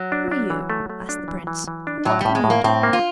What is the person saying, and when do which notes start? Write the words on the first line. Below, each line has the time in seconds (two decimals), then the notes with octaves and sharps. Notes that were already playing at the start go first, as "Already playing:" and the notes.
'Who are you?' asked the prince, 'and what can you do?'
Already playing: F#3
0.12 D4
0.31 D4
0.50 E3
0.70 A3
0.90 A3
1.09 D4
1.28 E3
1.47 E3
1.68 E3
1.87 D4
2.05 A2 F#3
2.21 A2 G3
2.35 G#3
2.44 A2
2.50 A#3
2.64 A2 C4
2.83 A#3
2.93 F4